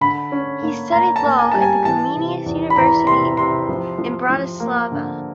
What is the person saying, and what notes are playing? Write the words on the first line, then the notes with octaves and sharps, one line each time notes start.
He studied law at the Comenius University in Bratislava.
D3 B5
C#4
A#3
A#3 A#5
A5
A#3
G#5
G3 A5
G#5
E3 A5
C3
E2
B5
E3 A#5
C3 C6
C3 C6
F3
F3
F3
A#3
D3